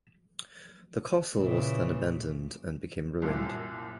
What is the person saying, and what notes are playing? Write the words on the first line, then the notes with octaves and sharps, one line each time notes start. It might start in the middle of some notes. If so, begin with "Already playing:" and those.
The castle was then abandoned and became ruined.
A#2 C#3 E3
C2 F#2 A#2